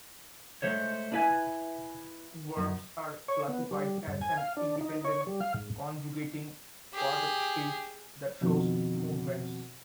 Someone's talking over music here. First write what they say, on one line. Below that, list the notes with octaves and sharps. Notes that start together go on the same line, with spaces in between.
Verbs are classified as an independent, conjugating part of speech that shows movements.
G#3 A3 C5 C#5
D4 E4 B4 E5 G#5
F#2
C#5
B3
G3
G2
G#5
F5
D4
D#4
C#5
G3
F5
G#2
G4 G#4
F2 B2 D#3